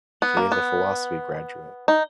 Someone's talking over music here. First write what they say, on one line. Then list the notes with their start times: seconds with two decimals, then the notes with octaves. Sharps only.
She is a philosophy graduate.
0.22 B3
0.37 A#3
0.52 B3
1.88 D#4